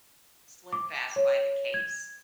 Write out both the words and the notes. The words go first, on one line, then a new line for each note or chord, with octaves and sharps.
SlimFast by the case.
D6
C#5
G#6